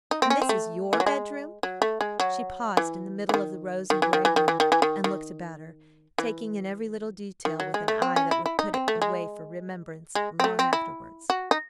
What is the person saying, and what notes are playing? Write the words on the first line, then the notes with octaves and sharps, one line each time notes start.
"And this is your bedroom!" she paused in the middle of the rose-and-gray room, and looked about her, taking in every little detail with an eye that would put it away for remembrance long afterwards.
D#4
C4
C#4
C4
A3
E3
F#3
G#3
F#3
A3
G#3
F#3
E3
E3
D#3
D#3
E3
D#3
E3
D#3
E3
D#3
E3
D#3
D#3
E3
D#3
F#3
G#3
A3
C4
C#4
E4
E4
D#4
C4
A3
G#3
G#3
C4
A3
C4
E4
F#4
D#4